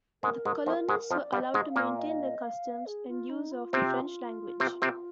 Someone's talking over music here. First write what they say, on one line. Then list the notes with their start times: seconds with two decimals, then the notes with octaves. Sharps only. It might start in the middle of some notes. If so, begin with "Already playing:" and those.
The colonists were allowed to maintain their customs and use of the French language.
0.23 G#2 G#3 A#4
0.45 G#2 G#3
0.66 F2 F3
0.89 G#2 G#3
1.11 F2 F3 D5
1.33 G2 G3 D5
1.40 D#5
1.54 G#2 G#3
1.69 F5
1.76 A#2 A#3
1.98 D#5
2.41 F5
2.85 G#4
3.07 F4
3.29 D#4
3.51 F4
3.73 C3 C4
4.60 C3 C4
4.82 C3 C4